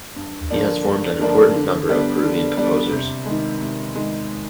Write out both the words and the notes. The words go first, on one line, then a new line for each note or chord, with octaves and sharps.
He has formed an important number of Peruvian composers.
G2
D3 F3 A#3 D4
G2
D3 F3 A#3 D4
D3
G3 B3 D4
D3
G3 B3 D4
C3
D#3 G#3
C3
D#3 G#3